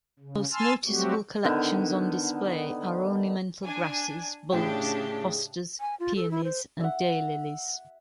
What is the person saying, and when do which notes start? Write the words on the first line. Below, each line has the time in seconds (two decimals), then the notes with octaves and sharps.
The most notable collections on display are ornamental grasses, bulbs, hostas, peonies and daylilies.
0.19 C#3
0.52 G#5 A5 C6 E6 F6
0.87 F#3 G3 A3 C4 F#4 G4
1.44 D3 D#3 B3
3.63 D4 G#5
4.52 A2 C#3 D4 G4 G#4 G5
5.80 G#5
6.00 F4
6.16 A4
6.31 E4
6.44 C5
6.81 E5 F#5